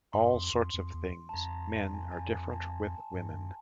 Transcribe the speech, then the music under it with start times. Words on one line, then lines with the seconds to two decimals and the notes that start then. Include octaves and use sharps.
All sorts of things... Men are different with women.
0.13 G2 C6
0.34 F2
0.53 F2
0.74 F2
0.94 E2
1.29 A5
1.34 F2 A#5
1.94 G#5
2.12 G#5
2.53 A5
3.14 G2
3.34 F#2